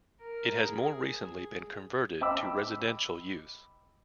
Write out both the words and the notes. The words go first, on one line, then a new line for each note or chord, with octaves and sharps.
It has more recently been converted to residential use.
A#4
G#4
D#5 G5 B5 D6 E6